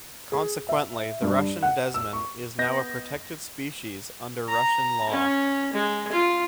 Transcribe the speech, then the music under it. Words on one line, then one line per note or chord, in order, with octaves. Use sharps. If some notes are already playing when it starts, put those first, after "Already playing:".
Consequently, the Russian desman is now a protected species under Russian law.
G#4
E5
G2
F#5
E6
C#6
B3 D#5 G6 A#6
A#5
C#4
G#3
F4